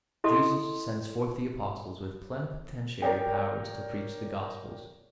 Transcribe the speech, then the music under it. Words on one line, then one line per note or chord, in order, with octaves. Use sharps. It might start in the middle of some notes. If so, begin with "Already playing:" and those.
Jesus sends forth the Apostles with plenipotentiary powers to preach the Gospel.
E4 A4 D#5 C6 D#6
A#4 C#5 D5 G5